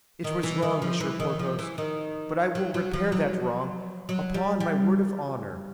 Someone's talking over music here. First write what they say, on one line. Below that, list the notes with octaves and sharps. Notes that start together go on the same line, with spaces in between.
"It was wrong, Monsieur Porthos; but I will repair that wrong, upon my word of honor."
D#3
E3
D#3
F3
E3
D#3
F3
E3
D#3
F#3
F#3
F3
F#3
F#3
G3
G3